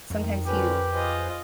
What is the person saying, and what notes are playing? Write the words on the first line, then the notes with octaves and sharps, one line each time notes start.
sometimes he
F2 D#3
D3 F3 C#4 G4 A#4 B4
F4 G#4 B4 C5 D#5